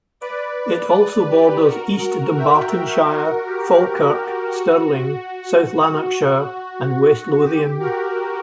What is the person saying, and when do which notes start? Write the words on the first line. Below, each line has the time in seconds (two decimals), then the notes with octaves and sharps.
It also borders East Dunbartonshire, Falkirk, Stirling, South Lanarkshire and West Lothian.
0.21 B4 D5
0.93 B4 D5
1.29 G4
1.65 F#4 A#4
2.38 E5 G5
3.10 F#4 A#4
3.46 G4
4.55 F#4
7.44 G4
7.80 F#4 A#4